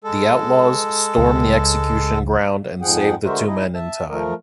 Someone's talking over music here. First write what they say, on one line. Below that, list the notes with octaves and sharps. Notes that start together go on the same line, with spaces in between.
The outlaws storm the execution ground and save the two men in time.
G#3 A4
C#2
F2 G#2 F3 G#4 F#5 G5
D3 G#3 F#4 A#4 C5 E5
D#4 E4 D#5
E5 A5
F3 A3 A#4